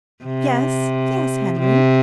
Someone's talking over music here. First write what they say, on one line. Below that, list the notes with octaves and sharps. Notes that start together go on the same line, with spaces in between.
"Yes--yes, Henry?"
C3
C3